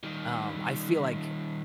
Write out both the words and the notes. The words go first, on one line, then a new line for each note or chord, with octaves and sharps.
Um, I feel like,
D#3 G3